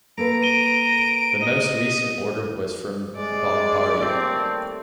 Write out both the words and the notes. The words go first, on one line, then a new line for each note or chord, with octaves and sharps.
The most recent order was from Bombardier.
A#3 A4 B4 A#5 D7
D7 D#7 G7
D#5 D#7
C3 G#3 D5
D#2 G3 A3 C4